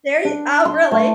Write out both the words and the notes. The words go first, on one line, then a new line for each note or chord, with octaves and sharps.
There you oh, really?
D4
C6
A3